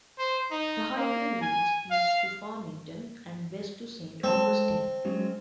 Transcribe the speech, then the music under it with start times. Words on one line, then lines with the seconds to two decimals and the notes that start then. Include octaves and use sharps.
The highway leads east to Farmington and west to Saint Augustine.
0.18 C5
0.51 D#4
0.96 A#3
1.41 G#5
1.91 F5
4.24 G#3 C4 A4 A5
5.05 F#3 G#3 C#4